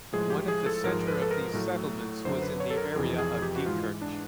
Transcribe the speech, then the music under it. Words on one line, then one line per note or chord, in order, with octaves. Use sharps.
One of the centre of these settlements was in the area of Diekirch.
A2 F3 G#3 G#4
G4
G#4
A4
G#2 F3 G#3 A#4
B4
A4
A#4
A2 F#3 A3
F#2 D3 F#3 C5
B4
C#5
A4
A#4
F2 C3 E3 G#4
G#4
G4
F#4
G#2 E3 G#3 F4
D4